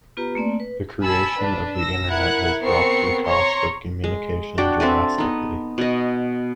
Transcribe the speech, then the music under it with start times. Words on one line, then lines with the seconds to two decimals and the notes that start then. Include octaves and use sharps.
The creation of the internet has dropped the cost of communication drastically.
0.17 B3 F4 G4 B4 A#5
0.35 A3 A#3 C4 D5
0.60 B4
1.01 G#5 A5 B5 E6
1.37 D4 B4
1.76 E6 A#6
2.08 E4 A#4 F#5 F#6 G#6
2.61 B3 C4 A#4 C#6 C7 C#7
3.26 C#5 A#5 C6 C#6
4.04 G#3
4.58 D4 F#4 G5
4.80 C4 A4 E5 G#5
5.18 B3 D#4
5.78 B2 D#5